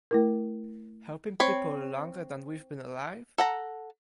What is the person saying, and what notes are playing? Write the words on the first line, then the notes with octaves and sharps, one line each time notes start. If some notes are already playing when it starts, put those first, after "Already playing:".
Helping people longer than we’ve been alive?
A3 E4 A#4
C4 C#5 B5
A4 F#5 A#5